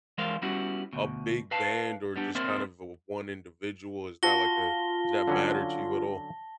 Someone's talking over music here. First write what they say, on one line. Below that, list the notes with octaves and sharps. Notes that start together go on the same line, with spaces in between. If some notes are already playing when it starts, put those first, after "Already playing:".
a big band or just kind of the one individual? Is that like a Does that matter to you at all?
E3 G#3 A#4 C5 D5 F5
G3 B3 C#4 E4 F#4
D2 B2
B4 F5 A5
G3 B3 D4 G4
A#3 C4 A#4 C5 D5 E5
F4 F#4 A5 A#6 G7
D3 F#3 C#4